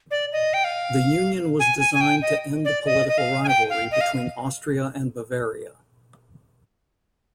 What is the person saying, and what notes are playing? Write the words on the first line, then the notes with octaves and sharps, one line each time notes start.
The union was designed to end the political rivalry between Austria and Bavaria.
D5
D#5
G5
F5
G#5
G#5
G#5
G5
D#5
D5
D#5
D#5
F5
G#5
G5
F5
D#5
F5